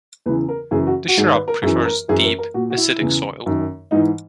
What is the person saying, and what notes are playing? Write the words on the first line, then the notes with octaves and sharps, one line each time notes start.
The shrub prefers deep, acidic soil.
E2 C#3 E3 B4
A#4
F#2 C#3 E3 G#4
F#4
F#4
G#2 D#3 G#4
B4
A#4
F#2 E3 G#4
A#4
F#2 E3 G#4
A#4
A#4
A#2 F#4
F#4
E4
E2 C#3 E3
F#2 D#3
G#2 E3 D#4